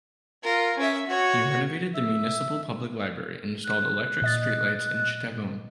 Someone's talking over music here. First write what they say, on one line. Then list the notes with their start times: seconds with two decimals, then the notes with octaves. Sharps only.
He renovated the Municipal Public Library and installed electric street lights in Chittagong.
0.43 F4 A#4
0.78 C#4 E5
1.07 F#4 C#5
1.94 E5
3.64 F#6
4.22 A#2 D#5 A6